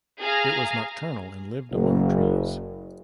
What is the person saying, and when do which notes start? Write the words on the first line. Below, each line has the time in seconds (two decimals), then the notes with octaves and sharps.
It was nocturnal and lived among trees.
0.20 G#4 F5 A#5
1.72 F#1